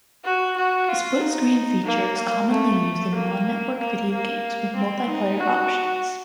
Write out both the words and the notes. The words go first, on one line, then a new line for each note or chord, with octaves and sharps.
The split screen feature is commonly used in non-networked video games with multiplayer options.
F#4
F#4
F4
D#4
A#3
A#3
A3
A#3
A#3
A#3
C4
D#4
F#4